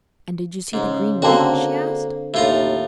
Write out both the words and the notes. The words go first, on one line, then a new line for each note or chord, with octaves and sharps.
'And did you see the Green Knight?' she asked.
G#2 C#3
D3 A#3 C4 F#4 A4
D#2 A2 F4 A#5